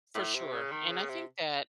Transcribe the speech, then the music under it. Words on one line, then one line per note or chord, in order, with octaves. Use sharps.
For sure. And I think that
A2
C3
C#3
D#3
C#3
C3